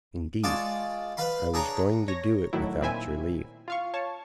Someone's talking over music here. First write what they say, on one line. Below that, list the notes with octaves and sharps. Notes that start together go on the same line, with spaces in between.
Indeed, I was going to do it without your leave.
G#3 F4 D5 A5 C#6 D6
B4 F5 B5 C6
D4 G#4 C#5 A#5
C#5 A#6
A2 D#3 F#3 E4
A#2 D#3 C4 E4 E5 G#5
F4 F5 C#6
C#5 A5 C#6